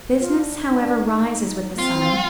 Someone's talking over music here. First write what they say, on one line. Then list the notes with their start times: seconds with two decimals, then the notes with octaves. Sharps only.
Business, however, rises with the sun.
0.19 F4
0.39 D4
0.59 D#4
0.70 D#4
0.80 D4
0.99 D#4
1.74 A#3
1.78 C4 F4